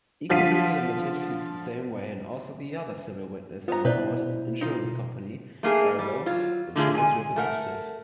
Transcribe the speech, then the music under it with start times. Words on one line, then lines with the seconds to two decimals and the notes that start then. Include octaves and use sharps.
EKOVIR Ltd feels the same way and also the other civil witness in court an insurance company Ergo insurance representative.
0.30 D3 F3 F5 B6 D#7
3.68 B3 F4 C5 A#5
3.85 B2 E4 B4 C5 D5
4.61 D#4 F4
5.63 A3 A#3 G4 G#4
5.99 G3
6.26 F#3 F4
6.76 D3 A3 F4 G#4
6.96 G#3 G#5
7.36 A3 A#4 F#5